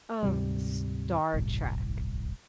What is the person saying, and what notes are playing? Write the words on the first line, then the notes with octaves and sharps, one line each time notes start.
of Star Trek,
D2 G#2 C3 G3
D1 G1 C2 A2